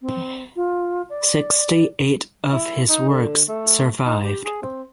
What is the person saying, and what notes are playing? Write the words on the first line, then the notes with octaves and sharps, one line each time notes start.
Sixty eight of his works survived.
C4
F4
D5
E4
D#4
D3
A3
D#4
G4
G#4
C4